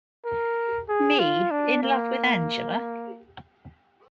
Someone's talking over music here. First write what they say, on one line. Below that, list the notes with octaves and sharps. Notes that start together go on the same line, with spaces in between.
Me in love with Angela?
A#4
G#4
F4
D4
A#3